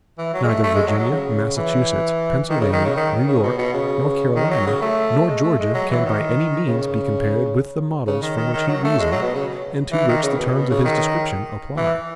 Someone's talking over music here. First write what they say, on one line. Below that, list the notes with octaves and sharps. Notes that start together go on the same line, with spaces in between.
Neither Virginia, Massachusetts, Pennsylvania, New York, North Carolina, nor Georgia can by any means be compared with the models from which he reasoned and to which the terms of his description apply.
E3
F#3
G#3
A3
A3
G#3
F#3
F#3
C#3
E3
D#3
C#3
D#3
C#3
D#3
C#3
B2
B2
C#3
D#3
F#3
C#3
A3
G#3
A3
G#3
F#3
E3
D#3
C#3
C#3
D#3
D#3
D#3
F#3
A3
G#3
F#3
B2
C#3
E3
D#3
C#3
B2
B2
C#3
D#3
E3